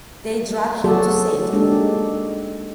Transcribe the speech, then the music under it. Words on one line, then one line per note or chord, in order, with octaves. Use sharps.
They drag him to safety.
F#3 F#4 G#4 A4 D5
G#3 A#3 D4 D#4 G4 A4